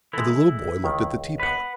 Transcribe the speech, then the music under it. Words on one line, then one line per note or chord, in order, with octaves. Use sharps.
And the little boy looked at the tea-pot.
E3 G#3 E4 A4
C#2 D#3
B4 F#5